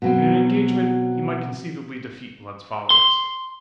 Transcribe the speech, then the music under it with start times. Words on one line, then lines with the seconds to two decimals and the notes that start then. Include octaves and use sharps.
In an engagement, he might conceivably defeat Blood's followers.
0.02 B2 F#3 C4
2.91 C6